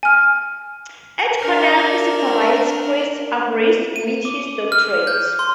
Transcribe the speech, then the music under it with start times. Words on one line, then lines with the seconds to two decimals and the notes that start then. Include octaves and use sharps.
At Cornell he supervised Chris Argyris with his doctorate.
0.03 G#5 F6
1.40 D4 A#4
3.96 D#7
4.25 D6
4.72 F6
5.07 G6
5.39 C6